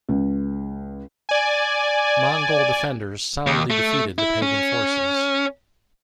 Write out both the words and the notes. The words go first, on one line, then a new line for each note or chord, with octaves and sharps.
Mongol defenders soundly defeated the Pagan forces.
C#2
D5 G#5
D#2
A3
E4
C#4